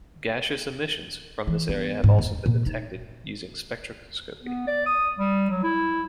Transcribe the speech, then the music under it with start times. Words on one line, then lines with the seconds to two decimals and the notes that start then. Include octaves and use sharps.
Gaseous emissions from this area have also been detected using spectroscopy.
1.47 E3
1.69 B3
2.04 G#2
2.19 E2
2.46 A#2
2.66 D#4
4.43 B3
4.67 D5
4.86 D#6
5.19 G3
5.50 F#3
5.63 E4